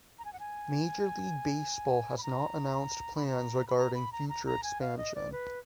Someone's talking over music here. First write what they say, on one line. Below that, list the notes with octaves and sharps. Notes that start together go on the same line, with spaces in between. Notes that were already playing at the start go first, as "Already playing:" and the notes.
Major League Baseball has not announced plans regarding future expansion.
A#5
G#5
F#5
G#5
B5
A#5
B5
A#5
B5
A#5
B5
A#5
A#5
A#5
G#5
F5
D#5
D5
B4